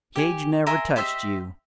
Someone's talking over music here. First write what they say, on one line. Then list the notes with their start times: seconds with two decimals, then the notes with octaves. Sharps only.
Cage never touched you!
0.16 G4 G#5
0.67 A#4 E5 G#5 C6
0.96 G4 C5 D#5 E5